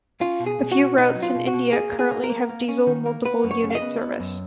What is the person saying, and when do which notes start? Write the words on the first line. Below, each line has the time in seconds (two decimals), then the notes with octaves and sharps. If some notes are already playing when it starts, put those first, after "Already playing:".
A few routes in India currently have Diesel multiple unit service.
0.21 C#4 F4
0.40 B2
0.46 G#4
0.59 B2
0.72 F#4
0.78 B2
0.97 B2 D#4
1.15 F#3
1.23 F4
1.35 B2
1.47 F#4
1.53 B2
1.72 A#3 G#4
1.92 A#3
1.99 G#4
2.11 A#3
2.24 A#4
2.30 A#3
2.49 A#3
2.68 C#4
2.87 D#3
3.06 A#3
3.25 B3 B4
3.44 F#2
3.51 C#5
3.63 C#3
3.70 F5
3.75 D#5
3.82 B3
4.01 B3
4.20 F#2